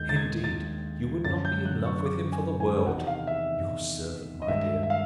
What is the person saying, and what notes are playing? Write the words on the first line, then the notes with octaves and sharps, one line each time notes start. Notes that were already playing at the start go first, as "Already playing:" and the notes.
Indeed you would not be in love with him for the world!--Your servant, my dear.
Already playing: D#2 D#3 G#3 G6
A6
G#6
A6
F#2 D3 F#3 A6
G6
F#6
C#6
D6
G#5
G#5
E2 C3 D#3 F#5
F5
E5
D#5
G2 D#3 G#3 E5
E5
F5